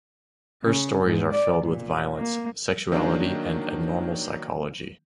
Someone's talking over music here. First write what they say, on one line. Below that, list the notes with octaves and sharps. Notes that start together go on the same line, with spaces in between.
Her stories are filled with violence, sexuality and abnormal psychology.
C#3
G#2
D5
A#2
A#3
D#3 F#3 A#3 D4